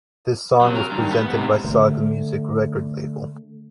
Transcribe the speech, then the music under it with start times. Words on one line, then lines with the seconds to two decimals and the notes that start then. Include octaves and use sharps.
This song was presented by Saga Music record label.
0.61 C3 F#3
0.75 A#4
0.91 G2 D#3
1.11 B3
1.30 G#2 C3
1.64 D3 A3